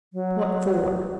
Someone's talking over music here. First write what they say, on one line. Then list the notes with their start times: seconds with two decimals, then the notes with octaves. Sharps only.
What for?
0.13 F#3